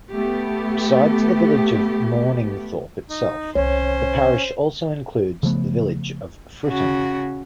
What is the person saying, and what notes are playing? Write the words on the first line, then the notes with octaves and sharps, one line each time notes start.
Besides the village of Morningthorpe itself, the parish also includes the village of Fritton.
A3 B3 G4
D#4
C2 D#3 C#4 C5 C#5
C#3 F3 A3 B3
C#3 F#4